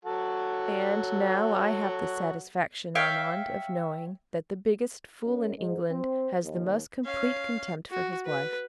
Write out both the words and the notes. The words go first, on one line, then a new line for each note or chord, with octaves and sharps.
"And now I have the satisfaction, Armand, of knowing that the biggest fool in England has the most complete contempt for his wife."
F#3 F#4 A4
C#5 E5 F5 G5
F#2
G#2
C4
D#2
C#4 F5
F#4
B4